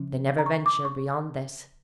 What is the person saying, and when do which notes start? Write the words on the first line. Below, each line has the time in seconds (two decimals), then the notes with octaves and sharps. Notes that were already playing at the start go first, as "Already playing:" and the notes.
They never venture beyond this.
Already playing: C#3 F3 C#4
0.38 A#5
0.46 C#6
0.66 D6
0.85 C#6